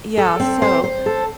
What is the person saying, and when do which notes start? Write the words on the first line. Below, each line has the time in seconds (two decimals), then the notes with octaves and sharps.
Yeah, so
0.18 A4
0.40 C4
0.62 C5
0.84 C5
1.06 A4